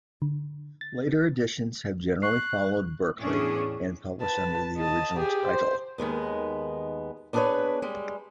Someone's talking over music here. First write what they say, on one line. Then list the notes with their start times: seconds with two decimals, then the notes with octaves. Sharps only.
Later editions have generally followed Berkley and published under the original title.
0.22 D3
0.81 A6
2.22 C#6 F#6 C7
3.19 E2 A2 C#4 D4 G#4
4.21 B4 A5
4.78 D#5 A5
5.17 G4 G#4
5.46 C5
5.98 D#2 D#3 G#3 B3
7.33 B3 D4 G#4 A4 B4 C#5
7.82 G3 G#3